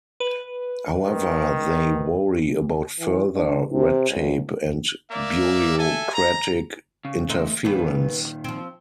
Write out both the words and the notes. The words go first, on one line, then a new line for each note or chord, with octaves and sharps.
However, they worry about further red tape and bureaucratic interference.
B4
D#3
E3
D4
C3
C#2
A#3 D5 E5
A4 E5 G#5
A#5
C#3
A3 D#4 C5
A#2 D#3 B3 B4
F3 C4